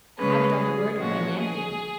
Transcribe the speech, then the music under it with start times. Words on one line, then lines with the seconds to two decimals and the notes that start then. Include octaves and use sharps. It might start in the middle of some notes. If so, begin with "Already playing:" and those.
I have it on the word of my landlady.'
0.18 C#3 G#3 C#4 G#4 B4
0.58 G#4
0.98 A#2 F3 G#3 C#4 F#4
1.39 G#4